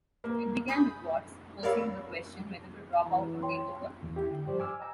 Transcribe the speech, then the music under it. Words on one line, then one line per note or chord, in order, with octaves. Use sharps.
It began with Watts posing the question Whether to drop out or take over?
A#3
G#5 B5 D#6 G6
A#4 C#5 D5 F5 B5 E6
E3 A#5
C#5 G5 C6
E2
E4 G4
D3 G5
G2 F3 G4 C5 D5
G#5 D6 E6 F6
D#5 G5 G#5 A#5 E6